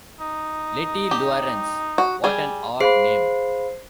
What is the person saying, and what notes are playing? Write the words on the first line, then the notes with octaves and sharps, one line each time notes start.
Lettie Laurence, — what an odd name!
D#4
G4
F#4
G3 G#4
G#4 C5 F5 B5 C7